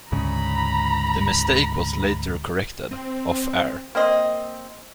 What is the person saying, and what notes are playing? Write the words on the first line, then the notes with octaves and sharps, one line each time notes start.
The mistake was later corrected, off-air.
D2 G#2 C#3 A#5 B5
C4
A#3 C4 D#5